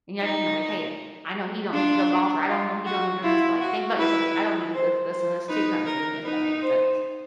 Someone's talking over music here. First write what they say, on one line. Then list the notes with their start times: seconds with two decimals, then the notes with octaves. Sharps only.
and, you know, like, "Hey, I know he don't need to go golf," or, I don't know, "He don't need to do this." But, like, think about yourself, like, "I don't need to do this, this and this too," kinda thing, if that makes sense
0.22 D#4
1.72 D4 F4
2.48 F4
2.85 F#4
3.23 E4 F4
3.60 F#4
3.98 E4 B4
4.74 C5
5.11 C5
5.48 D#4 B4
5.86 A#4
6.24 D#4 B4
6.61 C5